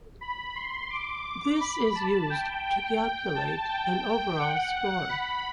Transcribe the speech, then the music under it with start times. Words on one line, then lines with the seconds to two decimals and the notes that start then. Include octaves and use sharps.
This is used to calculate an overall score.
0.21 B5
0.56 C6
0.90 D6
1.60 B5
1.95 A5
2.30 G5
2.65 G5
3.35 A5
3.69 G5
4.39 F#5
5.09 B5